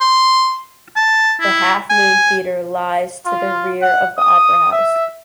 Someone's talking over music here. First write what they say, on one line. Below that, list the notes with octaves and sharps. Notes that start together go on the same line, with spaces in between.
The Half Moon Theatre lies to the rear of the Opera House.
C6
A5
E4
G#5
F4
F#5
D#6
E5